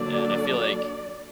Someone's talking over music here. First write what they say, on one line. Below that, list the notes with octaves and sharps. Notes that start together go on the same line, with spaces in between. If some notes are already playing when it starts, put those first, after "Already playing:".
And, I feel like
Already playing: D3 F#3 A#3 D4 D5